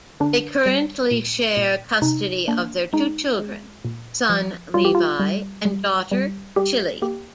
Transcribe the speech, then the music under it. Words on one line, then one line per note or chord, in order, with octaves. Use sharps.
They currently share custody of their two children: son, Levi, and daughter, Chilli.
D3 D4
G3
A#2
A#2
C3 D#4
A#3 D4
G#3 D#4
G#3
A#2
F3
G3 F4
G4
F4
G3
G3
G3
G3 G4
A#3 G4